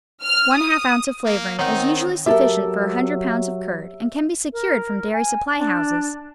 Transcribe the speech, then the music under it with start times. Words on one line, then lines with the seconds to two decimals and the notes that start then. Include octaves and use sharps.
One-half ounce of flavoring is usually sufficient for a hundred pounds of curd and can be secured from dairy supply houses.
0.22 F6
0.55 D#6
1.25 A#3
1.59 D#3 C4 D#4 C#5 F#5
2.26 F#3 G4 A4 A#4 E5
4.53 A#4
5.13 G#5
5.56 D4